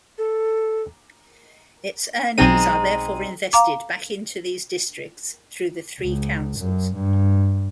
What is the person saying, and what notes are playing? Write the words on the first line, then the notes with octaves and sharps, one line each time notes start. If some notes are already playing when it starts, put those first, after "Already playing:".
Its earnings are therefore invested back into these districts through the three councils.
A4
B1 G#3 C4 D#4 D#7
F5 A#5 D6
C#2
F#2
G2